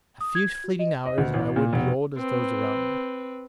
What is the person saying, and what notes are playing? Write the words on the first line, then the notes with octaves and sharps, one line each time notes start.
A few fleeting hours and I would be old as those around me.
D#6
G#6
G#6
F#4
D#5
D#5
D2
A1
A#2
F1
C4 B4